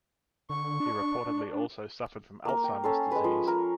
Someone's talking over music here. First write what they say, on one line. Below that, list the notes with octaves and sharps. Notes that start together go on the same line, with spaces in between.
He reportedly also suffered from Alzheimer's disease.
D3 C#6
D4
A#3 A#4
G5
C#4 A4 C5
G#3 B4
F3
A#4